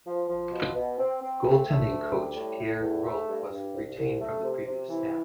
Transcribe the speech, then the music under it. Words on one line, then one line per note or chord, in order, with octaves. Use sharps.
Goaltending coach Pierre Groulx was retained from the previous staff.
F3
F3
B2
B2
C4
C4
A3
A3
D2
G3
A2
A2
E2
A3
G2
G2
C2
C2
A3
C3
C3
E3